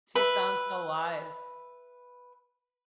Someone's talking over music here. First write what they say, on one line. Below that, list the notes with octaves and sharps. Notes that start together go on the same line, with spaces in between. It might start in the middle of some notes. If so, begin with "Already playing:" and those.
She sounds so wise.
B4 E5